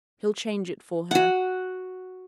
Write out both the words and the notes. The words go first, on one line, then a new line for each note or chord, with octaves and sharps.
He'll change it for her.'
F#4 F#5